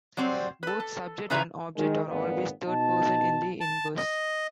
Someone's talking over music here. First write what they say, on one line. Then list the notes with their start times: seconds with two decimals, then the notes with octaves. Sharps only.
Both subject and object are always third-person in the inverse.
0.17 F#3 G3 C4 C5
0.63 A4 B4
0.80 A4
1.30 C#3 E3 F4 B4 E5 A#5
1.77 D#3 G#3
2.09 G#1 F2 A#2 B3
2.66 B2 D#4 A5
3.60 A5
3.97 D#5